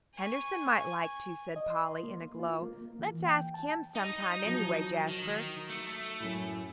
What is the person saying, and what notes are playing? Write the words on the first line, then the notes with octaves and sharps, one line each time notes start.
Henderson might like to," said Polly, in a glow, "let's ask him sometime, anyway, Jasper.
G#5 C#6
D#5
C6
A#3
F4
A#3
E3
G5
A5
D#4 D#5
F3 F#3 A#6
D#3
A3
F#2 A2